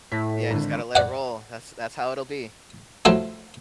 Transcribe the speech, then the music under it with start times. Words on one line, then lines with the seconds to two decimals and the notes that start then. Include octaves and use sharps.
Yeah, just gotta let it roll. That's that's how it'll be.
0.12 A2 B6
0.50 G#1 D3
0.95 D5 F#5
3.05 F3 F#3 A3 E4